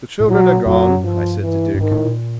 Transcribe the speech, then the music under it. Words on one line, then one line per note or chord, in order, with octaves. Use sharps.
"The children are gone," I said to Dick.
A2
A#2 F#3
B2
A#2
F2 F#3
F#2
G2 F3
E3
G2
G#2 D#3
A2
A#2